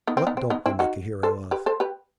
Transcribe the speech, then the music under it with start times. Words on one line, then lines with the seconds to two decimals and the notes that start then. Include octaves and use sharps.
What don't we make a hero of?
0.07 B3 D#4
0.17 C4
0.27 B3 D#4
0.37 C4
0.50 B3 D#4
0.66 C4 E4
0.79 D#4 F#4
1.23 A4 C5
1.51 G4 B4
1.66 A4 C5
1.80 G4 B4